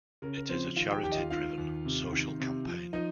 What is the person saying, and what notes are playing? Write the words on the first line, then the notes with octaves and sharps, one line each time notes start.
It is a charity-driven social campaign.
C#3 A#4
A#4
F3 C4 C5
D#3 F4 F5
G4 G5
D#2 G4 G5
D#5
F4 F5
D#3 F4 F5
D#2
C3
D#3
C3
F3
F3 D#4 D#5